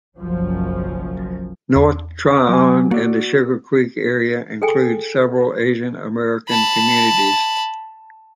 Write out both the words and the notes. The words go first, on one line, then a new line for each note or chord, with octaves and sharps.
North Tryon and the Sugar Creek area include several Asian-American communities.
F#1 B1 F#2 F3 F#3 C#4
E2
F#3 G#5
A#3 F#4 D5
G#4 A4 G5 G#5
A5 B5